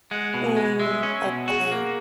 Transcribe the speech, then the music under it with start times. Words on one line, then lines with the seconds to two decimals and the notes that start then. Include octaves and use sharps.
Mm, okay.
0.11 G#3 F#5
0.34 B2
0.46 G#5
0.56 G#3
0.80 G#3 E5
1.03 C#4
1.25 B2
1.48 F#4 G#4
1.72 A#3